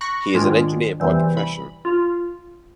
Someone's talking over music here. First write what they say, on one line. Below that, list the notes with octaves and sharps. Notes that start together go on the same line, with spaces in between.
He is an engineer by profession.
B5 C#6 F#6 A#6 C#7
G#2 D#3 G#3 D4 F4
E2 C3 E3 G3
B5
F4